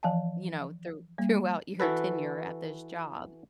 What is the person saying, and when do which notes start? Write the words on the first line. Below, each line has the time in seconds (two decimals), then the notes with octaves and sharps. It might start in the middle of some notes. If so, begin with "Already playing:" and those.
you know, through throughout your tenure at this job?
0.03 E3 F3 F5 G#5 A5
1.18 G3 A#3
1.80 E3 F#4 A4 B4